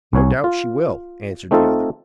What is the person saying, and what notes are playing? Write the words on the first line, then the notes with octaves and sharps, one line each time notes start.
"No doubt she will," answered the other.
C2 C#5 G#5
F4
A3 C4 D#4 F4 A4